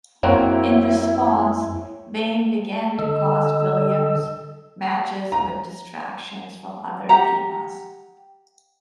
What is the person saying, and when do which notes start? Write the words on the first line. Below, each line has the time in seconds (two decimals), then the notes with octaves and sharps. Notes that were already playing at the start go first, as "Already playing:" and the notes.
In response, Vaine began to cost Williams matches with distractions from other Divas.
0.23 F#2 A#3 C4 E4 F#4 C#5 G5 A#5
2.99 D3 A4 D#5 E6
5.32 A#5
7.09 G4 F#5 A#5